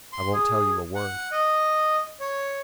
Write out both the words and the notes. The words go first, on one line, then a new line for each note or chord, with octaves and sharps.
"I won't tell you a word."
C6
G#4
F#5
D#5
C#5